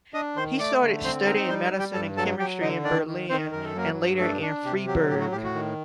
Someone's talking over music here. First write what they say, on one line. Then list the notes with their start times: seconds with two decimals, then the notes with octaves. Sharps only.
He started studying medicine and chemistry in Berlin and later in Freiburg.
0.14 D4 D#5 D#6
0.36 D#3 C5 C6
0.59 A3 D5 D6
0.81 D3
1.04 C4 C5 C6
1.26 D#4 A#4 A#5
1.49 G3 C5 C6
1.64 A#4 A#5
1.72 G3
1.79 G4 G5
1.94 G2 A4 A5
2.17 F#3 A4 A5
2.39 F#3 G4 G5
2.61 D3 D#4 D#5
2.84 D#3 D4 D5
3.07 D#3
3.29 D#3 C4 C5
3.52 F#2 A#4
3.65 A4
3.75 F#3 A#3 A#4
3.97 G2
4.19 A3 D4 A4
4.42 D4
4.64 C3 G4
4.87 F#3 G4
5.10 A2 G4
5.20 F#4
5.32 A2 G4
5.44 F#4
5.55 D#3